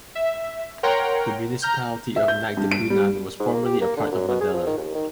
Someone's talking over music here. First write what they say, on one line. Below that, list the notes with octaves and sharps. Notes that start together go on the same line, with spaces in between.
The Municipality of Nagtipunan was formerly a part of Maddela.
E5
A#4 C#5 F#5 G5 A#5 C6
A#5 F6 G6
E5
G6
G2
D7
G3
G#2
A#3
G4
A#3
D3
F#2
B2
G#4
F3
D#3
D#2
D#3